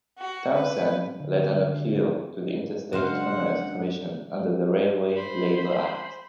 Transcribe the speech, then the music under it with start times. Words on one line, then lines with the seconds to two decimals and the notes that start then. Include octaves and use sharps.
Townsend led an appeal to the Interstate Commerce Commission under the Railway Labor Act.
0.18 F#4
0.53 B4
1.20 D3
2.93 F#2 C#3 G#3 D4 F#4 C5 F5 F#5
5.16 C5 B5